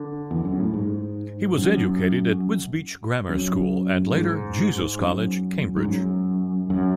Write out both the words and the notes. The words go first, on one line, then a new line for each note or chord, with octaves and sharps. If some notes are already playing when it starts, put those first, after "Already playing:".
He was educated at Wisbech Grammar School and later Jesus College, Cambridge.
Already playing: D3
E2
F#2
A2
G#2
F#2
F#2
G#2
F#2
G#2
F#2
F#2